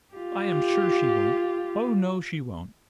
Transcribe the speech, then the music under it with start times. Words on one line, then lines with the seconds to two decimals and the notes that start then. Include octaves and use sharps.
I am sure she won't. Oh, no, she won't.
0.14 F4 G4